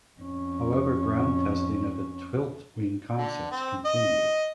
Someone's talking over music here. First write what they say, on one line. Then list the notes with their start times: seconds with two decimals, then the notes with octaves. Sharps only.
However ground testing of the tiltwing concepts continued.
0.20 F2 C#4
3.17 D3
3.51 C4
3.85 D#5